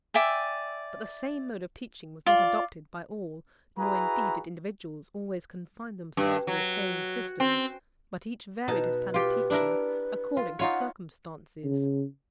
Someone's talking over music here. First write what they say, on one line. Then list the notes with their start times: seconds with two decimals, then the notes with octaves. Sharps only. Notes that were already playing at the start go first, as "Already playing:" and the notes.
But the same mode of teaching was not adopted by all, nor, indeed, did individuals always confine themselves to the same system, but each varied his plan of teaching according to circumstances.
0.14 D5 E5 G5 G#5
2.26 F4 D5
3.78 E4 F#4 G#4 B4 A#5
6.17 G2
6.47 F#3
7.40 C4
8.68 B2 D#4 B4 A5
9.14 F4 G4
9.50 D4 E4 A#4
10.37 F4
10.59 D#4 F4 C#5 F#5
11.64 C#3